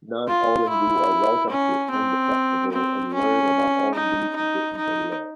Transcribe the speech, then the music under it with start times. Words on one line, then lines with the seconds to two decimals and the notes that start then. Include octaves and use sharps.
Non-Yolngu are welcome to attend the festival and learn about Yolngu traditions and Law.
0.28 F4
0.69 E4
1.50 C#4
1.91 C4
2.72 C4
3.14 C#4
3.95 D#4
4.36 D#4
4.77 D#4